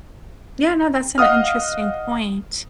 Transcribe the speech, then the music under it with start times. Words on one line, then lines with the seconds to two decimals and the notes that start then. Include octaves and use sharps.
Yeah, no, that's an interesting point.
1.18 D#5 F5 F#5 D#6 F6